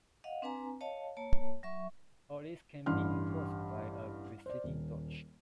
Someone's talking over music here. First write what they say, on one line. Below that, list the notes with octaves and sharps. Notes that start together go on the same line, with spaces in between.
All these can be enforced by a preceding "doch".
D#5 F5 F#5
C4 D4 B4 G#5 A#5
C#5 D#5 F5 A5
A#3 C#5 A5
F#3 E5 C#6
A1 G2 B5 C6 F6
C5 D5
D#1